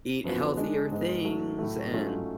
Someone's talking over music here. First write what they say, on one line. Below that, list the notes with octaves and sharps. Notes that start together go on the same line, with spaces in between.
eat healthier things, and,
F#2 F3 B3 F#4
D3 G#3 D4
G#2 G#3 B3
F#3 A3 D4
A2 F#3 A3
G#2 F#3 A3 C#4 F4